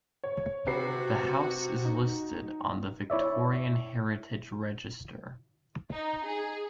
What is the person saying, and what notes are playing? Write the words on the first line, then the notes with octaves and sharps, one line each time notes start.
The house is listed on the Victorian Heritage Register.
C#5
C3 F#4 B4 C7
D#4
E4 C#5 D5 E5
D#4
G#4